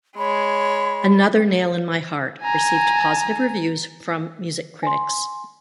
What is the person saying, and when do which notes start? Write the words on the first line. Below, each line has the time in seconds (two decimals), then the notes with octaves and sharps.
"Another Nail in My Heart" received positive reviews from music critics.
0.18 G#3 C#5 B5
2.42 G#5 A#5
4.83 G#5 C6